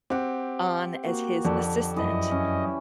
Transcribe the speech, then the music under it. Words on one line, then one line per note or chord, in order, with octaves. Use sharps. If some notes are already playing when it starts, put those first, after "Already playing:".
on as his assistant
C4 G4 F#5
A#3 F#4
F2 D3
F#2 E3 D#5
C#4